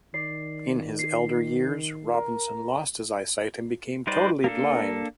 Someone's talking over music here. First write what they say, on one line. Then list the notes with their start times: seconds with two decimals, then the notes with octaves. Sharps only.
In his elder years, Robinson lost his eyesight and became totally blind.
0.14 D#3 D5 C7
0.99 C7
2.14 A#4
4.07 G3 D#4 B4 C5 D5
4.44 A#3 D4 A4